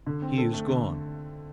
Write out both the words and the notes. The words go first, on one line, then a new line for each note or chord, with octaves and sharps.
He is gone!
D3
C4
A4
A3
D3